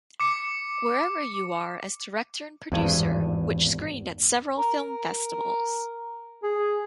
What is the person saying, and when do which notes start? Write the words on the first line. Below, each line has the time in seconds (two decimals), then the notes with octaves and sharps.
Wherever You Are as director and producer, which screened at several film festivals.
0.20 D6 C#7
2.72 G#1 E2 G2 G#5
4.58 A#4
6.43 G#4